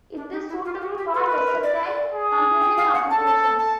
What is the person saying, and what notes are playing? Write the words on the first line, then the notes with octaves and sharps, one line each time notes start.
It is suitable for versatile computing applications.
D4
D#4
E4
F4
F#4
G4
A4 B4
A#4
A#4
D5
G#4
G5
F5
F#5
A4 A5
A5
A5
A5